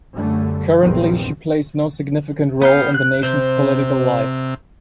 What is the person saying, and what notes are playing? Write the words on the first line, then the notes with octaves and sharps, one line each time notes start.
Currently she plays no significant role in the nation's political life.
F#2 D3 G3 A3
A#1 E2 G2 D#3 C4
B3 G4 F5
F#6
C3 C5